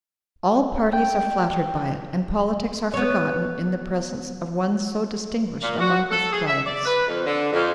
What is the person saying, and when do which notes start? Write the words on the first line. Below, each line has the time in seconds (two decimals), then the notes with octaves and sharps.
All parties are flattered by it and politics are forgotten in the presence of one so distinguished among his fellows.
0.93 G5
2.94 B3 C#5
5.61 A#2
5.80 F#4
6.10 A4
6.31 G#4
6.47 E5
6.66 D5
6.85 B4
7.07 F2
7.26 D3
7.52 F2